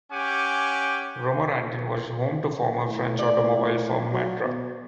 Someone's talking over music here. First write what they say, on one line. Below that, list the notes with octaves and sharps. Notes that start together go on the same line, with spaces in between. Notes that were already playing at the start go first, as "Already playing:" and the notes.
Romorantin was home to former French automobile firm Matra.
C#4 G4 F#5 G#5 D6
A2
D5
F#3
B2